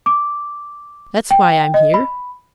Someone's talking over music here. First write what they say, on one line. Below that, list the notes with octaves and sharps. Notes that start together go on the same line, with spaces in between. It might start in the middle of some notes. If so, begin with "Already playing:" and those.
That's why I'm here.
D6
G5
D#5
B5